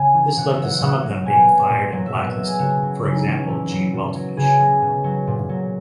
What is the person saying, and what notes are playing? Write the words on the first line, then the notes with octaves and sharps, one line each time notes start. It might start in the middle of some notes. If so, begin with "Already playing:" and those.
This led to some of them being fired and blacklisted, for example Gene Weltfish.
Already playing: C#3 G#5
E3
B2 F#5
E5
F#3 F#5
F#5
A#2 F#5
F#3
B2 G#5
F#3
A#2
F#3
E5
B2 F#5
E5
F#3
G#4
C#3 F#4
F#3
C#3 E4
D#4
E3 C#4
A#2 E4
F#3
B2
F#3
C#3 G#4
F#3
B2
F#3
A#2
F#3